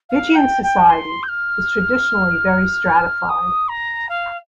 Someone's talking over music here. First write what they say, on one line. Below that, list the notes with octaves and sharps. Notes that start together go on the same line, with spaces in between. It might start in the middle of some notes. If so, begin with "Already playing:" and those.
Fijian society is traditionally very stratified.
F5
G5
G5
C6
G6
F6
D#6
A#5
F5